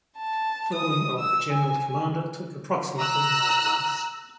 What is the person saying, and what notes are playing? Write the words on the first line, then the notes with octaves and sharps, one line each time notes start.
Filming of "General Commander" took approximately nine months.
A5
D#6
E6
G#5
A#5 E6 F#6